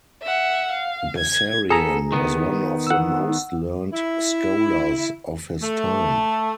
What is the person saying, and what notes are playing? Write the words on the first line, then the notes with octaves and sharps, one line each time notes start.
Bessarion was one of the most learned scholars of his time.
E5 F#5
F5
G#6
B3 G#4 A4 A#5
D#3 B3
F#5 E6
E4
A3